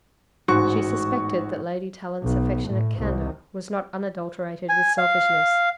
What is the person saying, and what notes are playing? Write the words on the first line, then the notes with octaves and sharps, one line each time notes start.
She suspected that Lady Tallant's affectionate candour was not unadulterated with selfishness.
A1 G#2 F#4 C#6
B1
A2
C2
G#5
F5